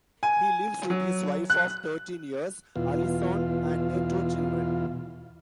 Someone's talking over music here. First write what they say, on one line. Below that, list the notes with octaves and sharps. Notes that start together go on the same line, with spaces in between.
He lives with his wife of thirteen years, Alison and their two children.
G#5
F#3
F#6
E2 B2 F4